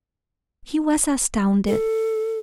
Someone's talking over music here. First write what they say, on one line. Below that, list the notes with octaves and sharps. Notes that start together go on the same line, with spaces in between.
He was astounded.
A4